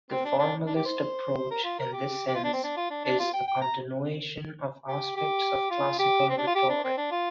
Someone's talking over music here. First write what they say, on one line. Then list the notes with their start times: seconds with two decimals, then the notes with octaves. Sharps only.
The formalist approach, in this sense, is a continuation of aspects of classical rhetoric.
0.11 C4
0.25 D4
0.39 D4
0.67 D4
0.76 G4
0.85 C5
1.51 A#4
1.64 F4
1.79 A#4
1.93 G4
2.27 G4
2.35 F4
2.44 D4
2.53 C4
2.64 D4
2.77 F4
2.90 D4
3.05 D4
3.19 F4
3.34 G5
3.48 G5
3.62 A#5
4.88 G4
5.16 G4
5.71 F4
5.99 G4
6.29 C4
6.38 D4
6.47 F4
6.55 G4
6.70 D4
6.84 C4
6.97 D4
7.11 F4